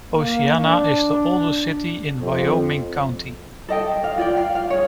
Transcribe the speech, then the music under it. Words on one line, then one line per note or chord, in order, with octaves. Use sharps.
Oceana is the oldest city in Wyoming County.
A#3
D4
F2
A4 D#5 G5
F5
F4 D5 G5
F5
F5
G#4 C#5